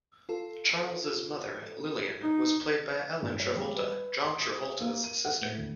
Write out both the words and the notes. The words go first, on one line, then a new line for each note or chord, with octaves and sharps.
Charles' mother, Lillian, was played by Ellen Travolta, John Travolta's sister.
F4 A4
D#4
G2
C#5
G3
B4
C6
D#6
A#3
D#7
F#5
A2
D2